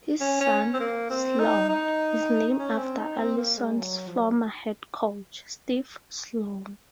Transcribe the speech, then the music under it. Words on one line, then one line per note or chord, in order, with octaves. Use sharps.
His son, Sloan, is named after Allison's former head coach, Steve Sloan.
C#4
C#4
C4
A#3
C4
D#4
D#4
C#4
C4
D#4
C4
A#3
G#3
F#3
F3
F#3